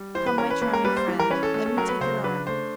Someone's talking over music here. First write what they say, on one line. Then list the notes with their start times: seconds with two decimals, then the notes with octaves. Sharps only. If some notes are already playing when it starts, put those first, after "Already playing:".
Come, my charming friend, let me take your arm.
Already playing: G3
0.15 E3 C5
0.26 B4
0.38 C#4 A#4
0.50 B4
0.62 A#3 B4
0.73 A#4
0.84 G3 B4
0.97 C5
1.08 E3
1.20 A#4
1.31 C#4 B4
1.43 A4
1.54 A3 A4
1.66 A4
1.77 F#3 A#4
1.89 B4
2.00 C#3 C5
2.24 D4 B4
2.47 A3 C5